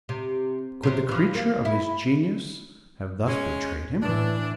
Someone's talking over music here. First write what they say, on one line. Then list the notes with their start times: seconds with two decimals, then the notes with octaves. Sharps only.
Could the creature of his genius have thus betrayed him?
0.09 C3
0.83 C3 F#3 C4
1.09 E3 F3
1.35 A#3
1.65 E4
3.27 G#3 C#4
4.03 A2 E3 D4